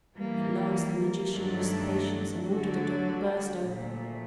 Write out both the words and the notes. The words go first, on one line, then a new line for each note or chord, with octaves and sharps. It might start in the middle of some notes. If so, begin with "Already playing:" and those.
At last the magician lost patience and ordered the door burst open.
E3 G3 A#3
G2 D#3 F#3 A3 D4
D3 F#3 A3 D4 F#4
A#2 F3 A3